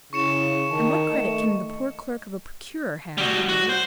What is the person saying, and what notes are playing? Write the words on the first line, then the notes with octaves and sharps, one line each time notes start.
"And what credit can the poor clerk of a procurer have, pray?"
C#3 E4 C#6 C#7 E7
D#3 A5
A3 D#5
G3 F#4
F#4
C5